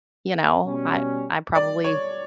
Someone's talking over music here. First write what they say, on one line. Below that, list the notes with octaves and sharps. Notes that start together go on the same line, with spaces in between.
You know? I I probably
B2 G3 C#4
D5
C#5